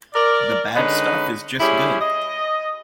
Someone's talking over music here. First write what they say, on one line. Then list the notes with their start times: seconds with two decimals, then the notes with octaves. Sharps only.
The bad stuff is just good.
0.14 A#4 D5
0.74 D3 G#3 C#4 D#4 B4
1.60 G3 C#4 E4 G4 G#4
2.00 D#5